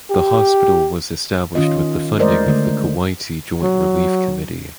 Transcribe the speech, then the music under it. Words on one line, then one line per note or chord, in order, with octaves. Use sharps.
The hospital was established with the funding of the Kuwaiti Joint Relief Committee.
G4
D#3 C#4 F4 D#5
G#3 A3 A#4 C5 D5 D#5
D3 A3
F#3